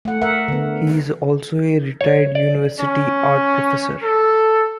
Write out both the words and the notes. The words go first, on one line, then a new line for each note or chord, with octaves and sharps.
He is also a retired university art professor.
A3 F#5
A#4 E5 F#5
D3 B3
C#5
D5
C#4
A4